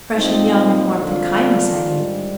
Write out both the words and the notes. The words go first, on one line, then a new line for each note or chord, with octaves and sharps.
'Fresh and young in warmth and kindness, I mean.
A#2 F3 C4 D#4
F2 D3 F3 D4 F4
G#2 G3